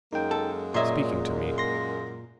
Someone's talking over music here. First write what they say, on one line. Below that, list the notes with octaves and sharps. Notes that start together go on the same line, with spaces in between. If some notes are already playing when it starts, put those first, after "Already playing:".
Speaking to me.
F#2 G#3 A#3 D#4 G5
A4
A#2 C#5 D#5 E5 C6
C6 A#6